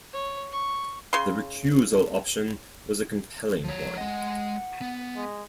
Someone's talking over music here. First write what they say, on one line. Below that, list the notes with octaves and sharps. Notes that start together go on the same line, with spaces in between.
The recusal option was a compelling one.
C#5
C#6
C#3 C6
F3 C#5
G#3 D#5 F#5
B3
G#3